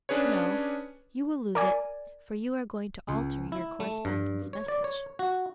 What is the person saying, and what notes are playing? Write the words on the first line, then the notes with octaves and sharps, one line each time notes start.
"No, you will lose it, for you are going to alter your correspondent's message."
C#4 D4 G#4 B4 C#5
A#4 D5 G#5
C#2
E4
A3
G2
C#5
D5
C#5
F#4